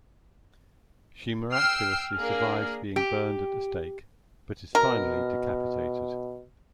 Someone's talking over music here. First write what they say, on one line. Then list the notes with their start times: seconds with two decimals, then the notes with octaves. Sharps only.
She miraculously survives being burned at the stake, but is finally decapitated.
1.52 G5 E6 F6 C7
2.16 A#3 D4 G#4
2.96 G4
4.75 B2 A#4